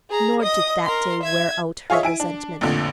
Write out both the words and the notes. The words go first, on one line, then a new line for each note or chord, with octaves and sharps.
Nor did that day wear out her resentment.
G#4 A#5
D#5 D#6
A#4 C6
E5 G#6
F4 G#4 C#5 D#5 E5
E4 G#5 D7
D4
A1 F2 A#2 D3